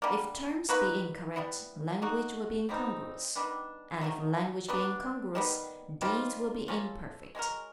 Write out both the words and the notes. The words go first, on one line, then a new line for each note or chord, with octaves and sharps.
If terms be incorrect, language will be incongruous; and if language be incongruous, deeds will be imperfect.
D3 G3 A#3
A#3 D#4 F#4 B4
G3 B3 E4
A#3 D#4 F#4
B2 G3 C4 D#4
D#3 G3 B3 D4
D#3 F#3 A3
F#3 B3 D4
D#3 G3 B3
D#3 G3 C4 F4
A#3 C#4 F4 A4
G#3 C#4 F#4 A#4